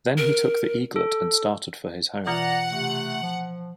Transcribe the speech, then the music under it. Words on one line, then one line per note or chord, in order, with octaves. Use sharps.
Then he took the eaglet and started for his home.
A#4
A4
B2 E3 F4 D5 F#5 A#5
C3 A3
F3